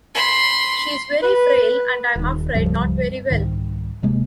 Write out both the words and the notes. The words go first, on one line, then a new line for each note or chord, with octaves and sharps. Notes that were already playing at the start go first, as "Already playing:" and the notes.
She is very frail and I'm afraid not very well.
B5 C6
B4
D#1 D#3
D1 C#2 G2 F3
C2 G#2 D#3
D1 C3 G#3 A#3